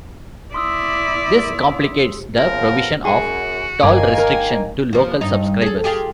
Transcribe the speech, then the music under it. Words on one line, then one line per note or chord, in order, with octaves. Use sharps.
This complicates the provision of toll restriction to local subscribers.
E4 D5 C6 D#6 E6
C#3 F3 B3 A#4
F#2 F#4 G#4
G1 D#3 A#3 G#5 D6
A#4
F3 A#3
G2 D#4
G#4 A4
F4 G4 G#4